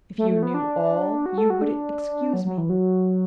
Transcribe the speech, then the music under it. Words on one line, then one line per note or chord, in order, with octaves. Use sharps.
If you knew all, you would excuse me.
A3
A3
B3
D4
F#4
A4
F#4
D4
F#3
F#3
E3
F#3